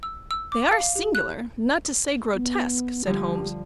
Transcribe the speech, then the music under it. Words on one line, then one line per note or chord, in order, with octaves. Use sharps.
"They are singular, not to say grotesque," said Holmes.
E6
E6
D6
F5
G4
F#6
B3
D3 F3 G3 G4